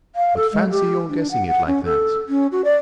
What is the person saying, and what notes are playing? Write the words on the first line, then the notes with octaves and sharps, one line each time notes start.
But fancy your guessing it like that.
F5
A4
G#3
G4
D4
F#5
F#5
C#4
A4
C#4
F#4
D5